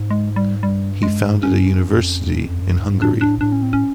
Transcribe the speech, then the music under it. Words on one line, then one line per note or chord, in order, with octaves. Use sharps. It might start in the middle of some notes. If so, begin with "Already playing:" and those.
He founded a university in Hungary.
Already playing: G#2
G#3
G3
G2 G3
G#3
G2 C#4
F#2
F2
E2
F2
F#2
G#2
A2 D4
D4
A2 D4
C#4
C4
C#4